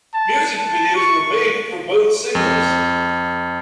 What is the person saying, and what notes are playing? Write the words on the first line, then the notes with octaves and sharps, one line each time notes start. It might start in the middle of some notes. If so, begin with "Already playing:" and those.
Music videos were made for both singles.
A5
A5
C#6
F2